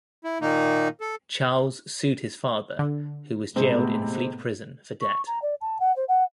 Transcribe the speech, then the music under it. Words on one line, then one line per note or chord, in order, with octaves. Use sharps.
Charles sued his father, who was jailed in Fleet Prison for debt.
E4
A#2 D#3 A#3 D#4
A4
D3
A2 C3 G#3 A3 B3 C4
C#6
A#5
D5
A5
F#5
C5
F#5